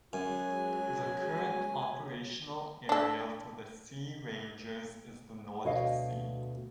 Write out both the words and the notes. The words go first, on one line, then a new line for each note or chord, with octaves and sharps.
The current operational area for the Sea Rangers is the North Sea.
F#2 F#3 G#3 G#5
D4 A4
D2 B2 F#4 C#5 D#5 F5